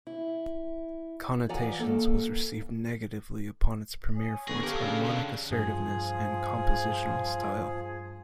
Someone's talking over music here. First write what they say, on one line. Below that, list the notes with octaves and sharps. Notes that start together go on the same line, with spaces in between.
"Connotations" was received negatively upon its premiere for its harmonic assertiveness and compositional style.
E4
E3 F3 D5 F#5 G#5 A#5
A#3 A4
C#5 G#5 D#6
D3 B3 G#4 C#6 A#6
C#4 G4 A4 A#4 F5 A5
C#3 D4
D3 F#3 F5 G5
G2 F3 G#4